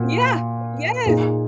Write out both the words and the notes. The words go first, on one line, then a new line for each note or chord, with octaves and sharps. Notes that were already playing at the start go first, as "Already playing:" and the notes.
Yeah. Yes.
Already playing: A#2 F#4
A#2 A#3 D#4 G#4